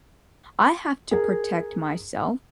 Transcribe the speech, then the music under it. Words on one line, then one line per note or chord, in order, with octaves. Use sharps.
I have to protect myself.
G#4 A#4